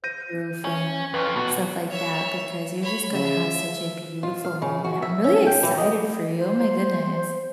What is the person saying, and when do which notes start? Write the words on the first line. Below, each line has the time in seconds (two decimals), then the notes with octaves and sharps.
waterproof and, stuff like that, because you're just gonna have such a beautiful moment. I'm really excited for you. Oh my goodness.
0.04 G6 A#6 D#7
0.65 C#4
1.14 F2 B4 C#6 F6
1.36 D#2 B2 F#4
1.90 C#5 E5
2.82 C#5 B5
3.12 C#3 E5
3.44 F3
4.23 F4
4.45 F5
4.62 C#3
4.84 F#4
5.02 E5
5.24 C#4
5.47 G5
5.63 E3
5.78 D#5
6.36 C5